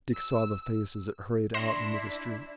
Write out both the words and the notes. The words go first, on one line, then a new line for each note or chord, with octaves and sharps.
Dick saw the face as it hurried out into the street.
E6
D4 E4 C6 A#6 E7